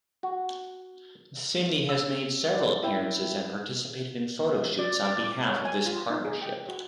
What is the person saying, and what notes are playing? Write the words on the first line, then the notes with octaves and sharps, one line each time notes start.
Cindy has made several appearances and participated in photoshoots on behalf of this partnership.
F#4
E6
D5
E4 E5 G5
D5
D5
D6
C#5
G#5
F4
D#4
G#4
G5
F#4